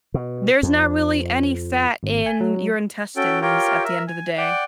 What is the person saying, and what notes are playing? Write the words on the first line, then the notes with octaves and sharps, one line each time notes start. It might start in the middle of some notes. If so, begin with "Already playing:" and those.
There's not really any fat in your intestines at the end of the day.
B2
F2
G#1
G#5
F#3
C#4 F#4 A4 G5
F4 G4 A#4 C#5 G5
A#4 E5
G#5
D5 F#5 G5